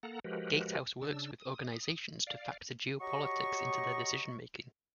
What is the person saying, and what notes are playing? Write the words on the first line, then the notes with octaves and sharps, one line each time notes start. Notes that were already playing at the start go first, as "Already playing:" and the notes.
Gatehouse works with organisations to factor geopolitics into their decision making.
A#3 A4 F#5 A#5
F3 G#3 F#4 G4 A#4 B4
C#3 D4 E6
D#6
D5 F5
F#4 G4 C#5 D#5 A#5 C#6